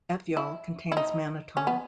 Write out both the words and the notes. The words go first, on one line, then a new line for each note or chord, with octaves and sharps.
Ethyol contains mannitol.
E4
E4
D#4
C#4
B3